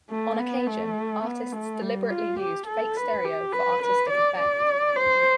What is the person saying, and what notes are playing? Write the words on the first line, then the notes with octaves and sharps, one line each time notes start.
On occasion, artists deliberately used fake stereo for artistic effect.
A3
B3
A3
B3
A3
G3
F4
G4
A4
B4
G4
B4
B4
D5
D5
C5